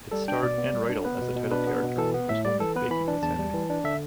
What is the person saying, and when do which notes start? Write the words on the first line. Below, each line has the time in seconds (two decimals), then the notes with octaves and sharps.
It starred Enn Reitel as the title character, who is only faking insanity.
0.11 G3 A4
0.28 D4 G5
0.43 B2 D5
0.58 B3
0.74 G3
0.90 D4
1.05 B3 B4
1.21 B2
1.36 B2
1.51 D4 B4
1.67 B3
1.83 B2
1.98 E3 A4
2.14 B3
2.29 A2 E5
2.45 G3 D5
2.60 E3 A4
2.76 B3 B4
2.91 E3 B5
3.08 D4
3.23 E2 A5
3.38 G3
3.54 E3
3.70 D4
3.84 D3 E5